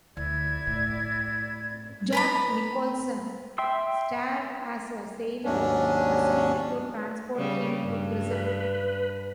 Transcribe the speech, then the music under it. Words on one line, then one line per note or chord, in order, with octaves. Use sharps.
Jack Nicholson starred as a sailor assigned to transport him to prison.
D2 E4 D5 G#6
A2
B4 A#5 B5
E5 G5 C6 E6
D#2 G#2 F#3 C#4 D4
C#3 G3
G2
B4